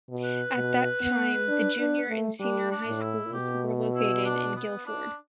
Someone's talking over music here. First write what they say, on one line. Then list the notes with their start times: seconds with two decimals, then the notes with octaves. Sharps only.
At that time the Junior and Senior High Schools were located in Gildford.
0.10 B2
0.24 B4
0.56 B2
1.01 B3
1.48 D4
1.79 D4
2.09 A3
2.40 G3 D4
2.71 D4
2.87 A2
3.01 E4
3.33 B2 G4
3.95 E4
4.25 D4
4.56 B3
4.86 D4